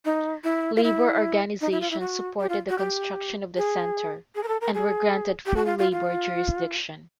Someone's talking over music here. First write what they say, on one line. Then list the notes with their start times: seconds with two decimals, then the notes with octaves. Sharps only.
Labor organizations supported the construction of the Center, and were granted full labor jurisdiction.
0.05 D#4
0.44 E4
0.76 F4
0.83 E4
1.61 D#4
1.71 E4
1.81 F4
1.91 E4
2.00 F#4
2.40 G4
2.49 F4
2.69 F#4
2.78 G4
3.57 G#4
4.35 G#4
4.43 A#4
4.48 A4
4.61 A#4
4.74 G#4
5.46 G4
5.56 F#4
5.65 F4
5.78 F4
5.92 F4